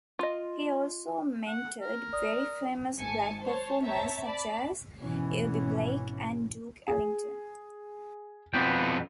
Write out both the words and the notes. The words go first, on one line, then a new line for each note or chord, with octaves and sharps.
He also mentored very famous black performers such as Eubie Blake and Duke Ellington.
F4 D#5
F#5
A#4
D5 D#6
G#1 G#2 G#5 A5 C#7
C5 C#5 A5
C4 C#5 E5 A5 A#5
D5 A5 B5
G#1 B2 E3 C#4
G#4
F2 B2 B3 B4 G5